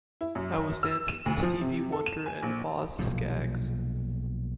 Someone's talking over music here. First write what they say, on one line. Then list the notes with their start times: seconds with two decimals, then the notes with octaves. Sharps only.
I was dancing to Stevie Wonder and Boz Scaggs.
0.21 E4
0.35 F#2
0.83 E6
1.08 E7
1.26 D2
1.43 F3
1.61 C3
1.92 A4
2.06 E7
2.26 G#5
2.43 A#1
2.98 B1 A#2 F3